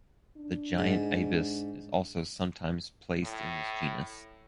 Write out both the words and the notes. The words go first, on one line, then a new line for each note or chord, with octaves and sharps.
The giant ibis is also sometimes placed in this genus.
D4
G#2
A2